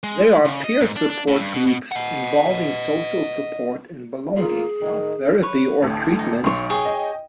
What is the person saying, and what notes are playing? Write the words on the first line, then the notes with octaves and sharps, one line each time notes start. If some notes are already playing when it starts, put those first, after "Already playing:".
They are peer support groups, involving social support and belonging, not therapy or treatment.
G#3
C#3
D#5
G#2
D4
D4
A2
G2
B2
B2
D#5 F#5
A#3 F4 G#4
A2 D#3 D#5
B4 C#5
A1 D2 A4
D#4
B1 C#5 C6
G4 G#4 C#5
D#5 G5